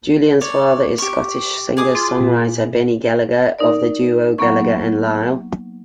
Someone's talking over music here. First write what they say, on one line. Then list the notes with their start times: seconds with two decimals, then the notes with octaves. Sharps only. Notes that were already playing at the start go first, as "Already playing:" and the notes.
Julian's father is Scottish singer-songwriter Benny Gallagher, of the duo Gallagher and Lyle.
0.41 C#5 D5
0.98 G4 C#6
1.77 G#4 D6 D#6
1.95 F4
2.21 A#2
3.59 D#4 A#4 D5
4.38 F#3 A#3 B3 C#6